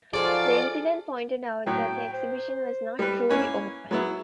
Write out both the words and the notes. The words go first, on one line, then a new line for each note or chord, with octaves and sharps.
The incident pointed out that the exhibition was not truly "open".
F3 F#3 D#4 F4 G#4 A4 D5
A2 F#3 G5
C5
G3 B4
A#3 C#4 E4 B4
F#3 B3 E4 G#4